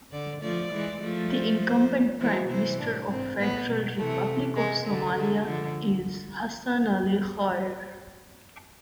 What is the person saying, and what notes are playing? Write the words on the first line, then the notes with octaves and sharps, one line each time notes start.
The incumbent Prime Minister of the Federal Republic of Somalia is Hassan Ali Khayre.
D3 D5
F3 A3 D5
E3 G#3
F3 A3
C5
C5
E3 G#3 C5
C3 E3 C5
A2 D4
G#2 C4
A2 B3
B2
C3 E3 A3
C3 G#3
D3 A3
D3
D3 F3